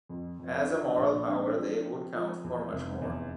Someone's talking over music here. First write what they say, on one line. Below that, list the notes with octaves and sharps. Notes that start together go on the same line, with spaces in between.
As a moral power they would count for much more.
F2
F2
C4
F3 D4
A#1
C4
F3
C4
F3
E2
F1
E2